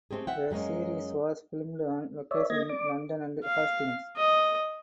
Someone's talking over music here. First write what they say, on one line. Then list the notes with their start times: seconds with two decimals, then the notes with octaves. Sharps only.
The series was filmed on location in London and Hastings.
0.11 A3 C4 G4 G#4
0.27 E5 F#5 G5
0.51 F#2 G3 G#3 A#3 C#4
2.31 C#5 D5 E5
2.50 A#3 D#5 G#6 A#6
2.69 D5 D6
3.44 F5
4.17 D#5